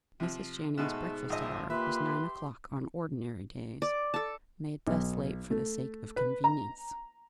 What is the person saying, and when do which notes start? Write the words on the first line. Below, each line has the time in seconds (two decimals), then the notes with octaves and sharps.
Mrs. Channing's breakfast hour was nine o'clock on ordinary days, made thus late for the sake of convenience.
0.20 C3 F3
0.78 G#2 B2 G#3 A3 A4
1.30 A#1 F3 D#5 E5
1.70 A#2 G4 B4 E5 C6
3.82 D5
4.14 A4 A5
4.87 B1
5.51 A3
6.16 B4
6.44 A#5